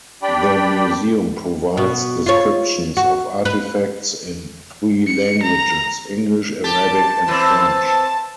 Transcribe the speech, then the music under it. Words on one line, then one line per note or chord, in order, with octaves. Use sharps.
The museum provides descriptions of artifacts in three languages: English, Arabic, and French.
D4 G4 D5 G5 B5
B2
F4 C#5
F#4
B4
C#7
A#5
G4 A5
E3 C4